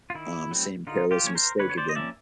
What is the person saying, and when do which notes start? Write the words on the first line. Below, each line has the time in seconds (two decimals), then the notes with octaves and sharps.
um, same careless mistake again.
0.10 F4
0.15 D#3 E4
0.51 F#3 A3 C4
0.87 D3 D#4 F4
1.11 F4 G4
1.24 F3 A#3 C#4 C#5
1.35 A#4 C5
1.59 D3 B4 C#5
1.70 C#5
1.77 C5 D5
1.89 D#5
1.95 F3 A#3 C#4 D5 E5